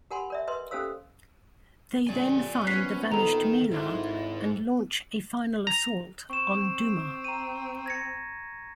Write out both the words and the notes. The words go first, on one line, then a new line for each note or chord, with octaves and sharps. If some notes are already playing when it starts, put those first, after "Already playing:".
They then find the vanished Mila and launch a final assault on Duma.
G4 A#4 F#5 G#5 B5 C6
A#4 D5 E5
A#4 B4 D#5 C6
C#4 G4 A4 C5 F5 E6
A1 C#3 G3 D5 G#5
A#1 B3 C#4 F#6 B6 C7
D#3 A4 A#5
G#1 G#2 E4
A#5
C4 C#6 E7
A#5 D#7
G#6 A#6 C#7